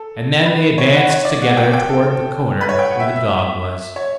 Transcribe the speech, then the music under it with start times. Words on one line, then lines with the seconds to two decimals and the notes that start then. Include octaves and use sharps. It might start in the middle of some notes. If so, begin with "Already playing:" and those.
And then they advanced together towards the corner where the dog was.
Already playing: A4
0.46 B4
0.78 C#5
0.94 F#5
1.09 C#5
1.25 D5
1.42 F#5
1.57 G5
1.73 G5
1.89 A4
2.61 B4
2.69 C#5
2.79 G5
2.90 F#5
3.00 E5
3.16 E5
3.96 C#5